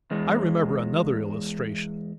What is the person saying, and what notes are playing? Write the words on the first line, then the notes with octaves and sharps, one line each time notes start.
I remember another illustration.
E2 G#3